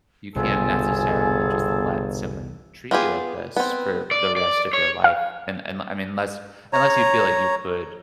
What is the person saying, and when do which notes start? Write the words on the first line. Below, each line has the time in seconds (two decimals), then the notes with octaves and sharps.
you can't necessarily just let someone treat you like this for the rest of your life. And and, I mean, less unless you feel like you could
0.36 G1 C2 B2 F3 G#4 A4 G#5
2.91 B3 F4 G4 G#4
3.56 B3 C4
4.11 D5
4.37 D5
4.73 C#5
5.04 F5
6.73 C#5 A#5